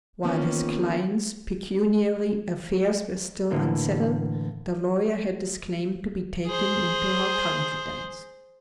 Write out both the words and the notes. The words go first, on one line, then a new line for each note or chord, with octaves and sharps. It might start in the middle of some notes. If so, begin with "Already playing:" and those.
While his client's pecuniary affairs were still unsettled, the lawyer had his claim to be taken into her confidence.
D#3 F3 A#3 B3 C#4
A2 D3 E3 A#3
G#4 C5